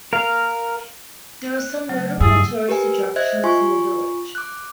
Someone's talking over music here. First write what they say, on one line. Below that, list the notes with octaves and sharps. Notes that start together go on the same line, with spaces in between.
There are some notable tourist attractions in the village.
A#4 F5
F#6
C#3 F#3 A3
G2 G#4 E6 A6
G4 A#4 B4 G#5
C5 D#5 E5 F#6 G#6
F4 G#5 C6 C#6
D6 F#6